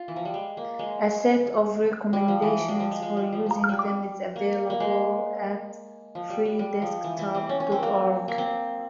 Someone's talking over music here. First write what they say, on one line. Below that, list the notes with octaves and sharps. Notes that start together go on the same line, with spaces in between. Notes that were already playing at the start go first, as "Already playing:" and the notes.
A set of recommendations for using them is available at freedesktop.org.
Already playing: F4
E3
F3
G3
G#3
A#3
G#3
G3
F3
E3
F3
G3
F3
G#3
G#3
G3
F3
F3
G3
A#3
A#3
G#3
F3
G3
G3
G3
F3
E3
E3
C4
C#4
C#4
C4
A#3
A#3
C4